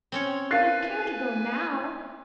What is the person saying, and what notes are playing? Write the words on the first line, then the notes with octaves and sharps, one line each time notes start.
"I don't care to go now."
C4 C#4 C#5
E4 A#4 B4 F5 G#5 F#6 A6 C7